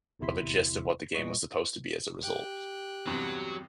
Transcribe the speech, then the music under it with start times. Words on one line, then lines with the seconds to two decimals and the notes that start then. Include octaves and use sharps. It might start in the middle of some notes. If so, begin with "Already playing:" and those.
of a gist of what the game was supposed to be as a result.
0.19 G1 E2 C3 E4 C6 B6
1.15 A#2 G3 B4 D#5 C#6
2.23 G4 G5 F#6
3.07 E2 G2 C3 F#3